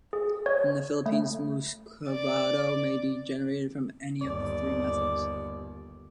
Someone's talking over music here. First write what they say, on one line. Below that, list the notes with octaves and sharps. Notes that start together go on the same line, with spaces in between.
In the Philippines muscovado may be generated from any of the three methods.
G#4
C#5
A3
D5
G1 D#2 D5